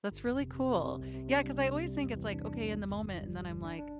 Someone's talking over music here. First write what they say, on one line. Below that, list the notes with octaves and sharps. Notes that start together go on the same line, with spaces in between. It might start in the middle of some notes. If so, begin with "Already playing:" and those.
that's really cool yeah, 'cause I always think it's, like, okay in the moment, and then I'm, like,
G1
F2
C3
C3
C3
C3
C2
C3
D4
G3
C2
C3
G3
E2
E3
D4
D4
E2
G1
G1
G1
G3
G1
G1
D4
D4